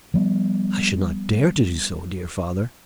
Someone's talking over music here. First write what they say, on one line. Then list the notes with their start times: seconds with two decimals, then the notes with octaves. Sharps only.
"I should not dare to do so, dear father."
0.14 F3 G3 B3